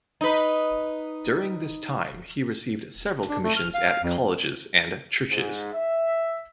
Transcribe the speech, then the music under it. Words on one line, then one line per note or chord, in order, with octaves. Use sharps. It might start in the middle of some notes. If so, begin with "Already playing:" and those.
During this time he received several commissions at Colleges and churches.
D#4 B4
D4
A3
F6
F5
F2
G#2
E5